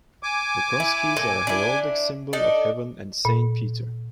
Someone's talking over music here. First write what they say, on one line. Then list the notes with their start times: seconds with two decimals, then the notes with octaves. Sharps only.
The Cross Keys are a heraldic symbol of Heaven and Saint Peter.
0.23 G#5 D6
0.80 E4
1.17 A#2 A4
1.47 D4 E4
2.33 D4 D#4 A4
3.25 A#2